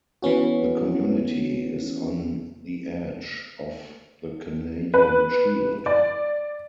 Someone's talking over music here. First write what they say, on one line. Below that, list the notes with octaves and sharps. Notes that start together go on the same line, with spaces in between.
The community is on the edge of the Canadian Shield.
E3 B3 C#4 F#4
B4
D5